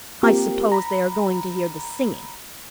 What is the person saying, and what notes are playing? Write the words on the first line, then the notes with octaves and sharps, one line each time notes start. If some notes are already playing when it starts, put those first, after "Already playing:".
I suppose they are going to hear the singing.
A#3 C4 F4 G4 A#4
A#5 B5